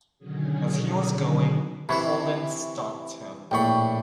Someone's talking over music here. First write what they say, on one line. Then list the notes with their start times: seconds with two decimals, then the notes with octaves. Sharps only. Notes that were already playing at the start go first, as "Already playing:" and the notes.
As he was going, Holden stopped him.
0.18 B2 D3 D#3 F#3 C#4 G#4
1.89 C3 E3 B4 B5 C#6 G#6
3.51 A#1 A2 G5 B5 C#6